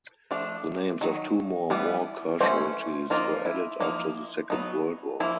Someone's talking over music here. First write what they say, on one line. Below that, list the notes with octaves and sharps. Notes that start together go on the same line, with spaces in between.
The names of two more war casualties were added after the Second World War.
F3 A3 D4
D#3 F#3
E3 G3 B3
E3 A3 C#4 C5
F3 A#3 D#4 F4
E4
F3 A#3 D#4
F#3 B3 D#4
F3 A#3 E4